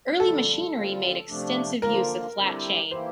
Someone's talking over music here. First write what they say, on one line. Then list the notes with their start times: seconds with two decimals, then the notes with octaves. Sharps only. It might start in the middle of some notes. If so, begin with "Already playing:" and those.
Early machinery made extensive use of flat chain.
0.19 F2 D3 G3 A4
0.74 D3 G3 C4 F4
1.28 C3 F3 A3 D4
1.82 D3 F3 A#3 F4 A#4
2.37 D3 G3 C4 E4 G4
2.91 E3 A#3 E4 G4 C5